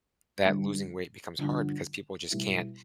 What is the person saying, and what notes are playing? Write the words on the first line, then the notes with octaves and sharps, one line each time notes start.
that losing weight becomes hard because people just can't
G2 D3 G3
G2 D3 F3
B2 G3 B3 E4